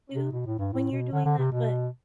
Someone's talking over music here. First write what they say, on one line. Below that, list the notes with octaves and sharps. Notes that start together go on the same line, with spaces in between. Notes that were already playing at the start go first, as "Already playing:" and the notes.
too, when you're doing that, but,
C3
B2
A2
G2
A2
B2
D3
D3
C3
B2